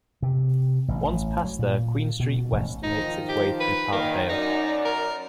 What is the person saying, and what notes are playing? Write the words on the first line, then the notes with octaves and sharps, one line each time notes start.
Once past there, Queen Street West makes its way through Parkdale.
C3
A1
F#3
A#2
B2
A1
D#3 F3 D#4
G4
B4
A#2 D#3 A#3
F#2 D#4 D5
A#4